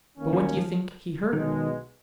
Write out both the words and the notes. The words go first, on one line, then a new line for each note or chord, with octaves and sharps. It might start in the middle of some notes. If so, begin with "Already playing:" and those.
But what do you think he heard?
D#2 D#3 A#3 C#4
F3
F#3
F3
B1 B2 D#3 G#3